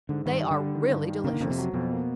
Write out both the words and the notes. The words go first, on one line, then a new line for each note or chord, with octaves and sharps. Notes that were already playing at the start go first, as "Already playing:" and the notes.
They are really delicious.
G#2 D3
G2 D#3
G3
D3
G3
D#3
G2
D#3
C#3 A#3
D3
F2 C#3
C3
F#3
F2 B2
A#3